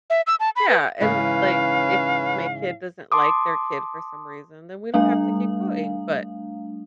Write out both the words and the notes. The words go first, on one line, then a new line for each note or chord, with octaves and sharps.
Yeah, and, like, if my kid doesn't like their kid for some reason, then we don't have to keep going, but
E5
E6
A5
B5
B4
G#2 C#3 E3 C#4 B4 F5
A5 C6 D6 D#6
G3 A3 D4 F5